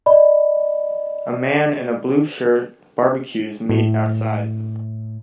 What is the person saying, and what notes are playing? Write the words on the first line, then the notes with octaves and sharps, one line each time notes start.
A man in a blue shirt barbecues meat outside.
D5 D#5 B5
A2